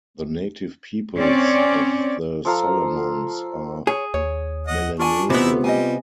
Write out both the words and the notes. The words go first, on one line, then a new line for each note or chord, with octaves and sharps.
The native peoples of the Solomons are Melanesian.
C4 C#4 C#5 D5
F3 A4 F5 A#5
G#4 C#5
D#2 C#5
D#5 F#5
D4 F4 A#4 D5 G#5 C#6
C3 B3 D#4 E4 E5
G3 D#5 G#5